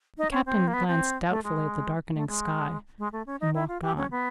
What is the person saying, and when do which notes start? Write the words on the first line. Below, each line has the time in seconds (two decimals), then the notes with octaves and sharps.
The captain glanced doubtfully at the darkening sky, and walked on.
0.18 D#4
0.31 C#4
0.46 C4
0.68 A#3
0.74 B3
0.88 C4
1.30 A3
1.44 G#3
2.14 A3
2.28 G#3
2.98 G#3
3.13 A3
3.26 C#4
3.40 D#4
3.54 E4
3.68 F4
3.82 G4
3.97 C#4
4.11 B3